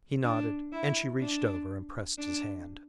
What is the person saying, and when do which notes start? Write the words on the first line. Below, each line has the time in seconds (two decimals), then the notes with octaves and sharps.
He nodded and she reached over and pressed his hand.
0.24 D4
0.72 E4
1.21 D4
2.18 D4